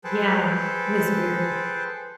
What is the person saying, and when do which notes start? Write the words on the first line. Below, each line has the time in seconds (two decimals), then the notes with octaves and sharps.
Yeah. It was weird.
0.04 G#4 A4 B4 C5 G5 A5